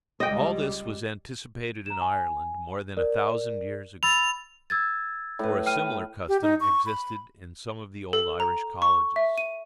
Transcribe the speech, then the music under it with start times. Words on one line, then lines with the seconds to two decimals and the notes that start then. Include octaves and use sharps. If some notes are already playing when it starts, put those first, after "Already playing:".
All this was anticipated in Ireland more than a thousand years ago; for a similar custom existed in some of the old Irish colleges.
0.20 C#2 G3 G#3 D#5 G5
1.86 A#5 E7
2.01 G#5
2.97 A#4 D5
4.03 B5 E6 A6 F7
4.70 E6 G#6 A6
5.39 A2 B4
5.66 G5 F6 D#7
6.28 G4
6.42 D#4
6.60 C#6
6.86 B5
8.13 A4
8.40 A#5
8.82 C#6
9.16 E5
9.38 D#7